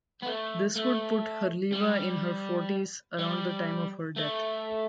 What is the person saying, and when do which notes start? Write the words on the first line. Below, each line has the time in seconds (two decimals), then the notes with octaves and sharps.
This would put Herleva in her forties around the time of her death.
0.22 B3
0.26 A3
0.76 A3
1.72 G3
3.19 G3
4.16 A3